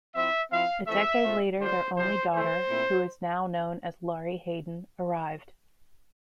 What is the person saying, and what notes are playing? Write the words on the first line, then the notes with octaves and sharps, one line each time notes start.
A decade later their only daughter, who is now known as Laurie Hayden, arrived.
F3 C4 E4 E5
F3 C4 E4 F5
E3 A3 C4 F4 E5
A#2 A3 C4 F4
D3 G3 D4 F4 C5
C3 F3 C4 E4 C5
E3 A3 E4 C5
A#2 A3 C4 E4